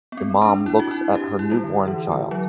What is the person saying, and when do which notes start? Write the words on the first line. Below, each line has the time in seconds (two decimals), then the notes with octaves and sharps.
A mom looks at her newborn child.
0.12 B3
0.17 C4
0.42 D4
0.66 E4
0.80 F#4
0.91 E4
1.15 G4
1.39 E4
1.51 G3
1.64 D3
1.88 E3
2.12 D3
2.31 F#3